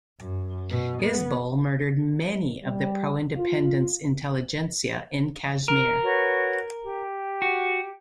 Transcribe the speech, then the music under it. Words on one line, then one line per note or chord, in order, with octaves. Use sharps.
Hizbul murdered many of the pro-independence intelligentsia in Kashmir.
F#2
B2
B3
G3
F4
A#4
F#4 B4 C#5
G4
F#4